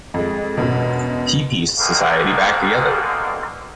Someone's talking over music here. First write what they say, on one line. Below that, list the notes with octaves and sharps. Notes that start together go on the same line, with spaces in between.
He pieced society back together.
F2 G#3
E1 F#2 B2
G#2 B2 D3 D#3 G3 A#3